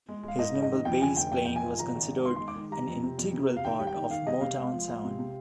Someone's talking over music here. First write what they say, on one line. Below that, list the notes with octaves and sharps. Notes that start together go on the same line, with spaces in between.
His nimble bass playing was considered an integral part of the "Motown Sound".
G#3
G#3 F5
G#2 D#5
G#2
D#5
D#3
F2 G5
D3 G#5
F1 G5
F2 G5
F1 G5
G#5
F3
G#1 A#5
G#1
G#3
D#3 C6
G#3 C6
D6
D#3
G3 A#5
F2
C3
F2
C3
C3
F5
D#3 G5
G3
G5
D#3
D#3 F5
G3 D#5
C3 F5
G#3
F3
G#3
C3
C3